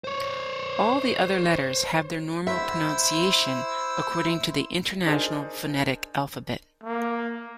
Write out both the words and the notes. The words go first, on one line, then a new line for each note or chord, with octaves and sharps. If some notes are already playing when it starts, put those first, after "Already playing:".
All the other letters have their normal pronunciation according to the International Phonetic Alphabet.
C5 C#5
E4 C5 E5 E6
D4 D#4 G#4 A#4 C5
A#3